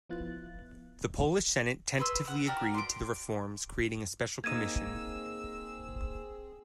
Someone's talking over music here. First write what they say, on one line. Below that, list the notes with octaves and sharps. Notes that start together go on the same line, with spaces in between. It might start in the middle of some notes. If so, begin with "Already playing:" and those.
The Polish Senate tentatively agreed to the reforms, creating a special commission.
F3 B3 E4 F4 F#6 A6
G#4 B4 C6 E6
F#5 F6
F#4 G4 A#4 D5
C6 D6
A#3 C4 D#4 G#4 E6 G#6 D#7